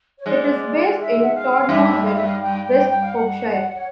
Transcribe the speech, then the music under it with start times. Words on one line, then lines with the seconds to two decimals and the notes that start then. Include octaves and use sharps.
It is based in Todmorden, West Yorkshire.
0.19 C#5
0.26 G#2 G#3 D5
0.98 E5
1.22 F#5
1.34 F5
1.69 G2 G3 E5
2.05 F5
2.15 E5
2.24 F5
2.41 G5
2.64 G5
2.89 G5
3.01 F5
3.12 F#5
3.75 C#5